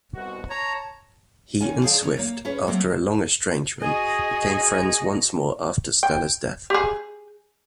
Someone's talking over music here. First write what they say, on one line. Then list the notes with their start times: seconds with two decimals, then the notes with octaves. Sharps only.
He and Swift, after a long estrangement, became friends once more after Stella's death.
0.15 C2 B2 F#4
0.50 C#5 A5 A#5
1.61 D#2 D#3 C#4 G#5
1.83 G#4 C5 D5 F5 G5 A5
2.02 E3 C#4
2.17 A#3 C#5
2.45 C#4 G#4 B4 C#5
2.67 F#3 A3 A#3 C4 C5
3.81 F#4 G#4 D#5
6.03 G5
6.70 G4 G#4